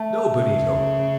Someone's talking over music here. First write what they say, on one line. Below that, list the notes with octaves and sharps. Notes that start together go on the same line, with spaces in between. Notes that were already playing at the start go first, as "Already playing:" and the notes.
No, Benito!
Already playing: A3
C#3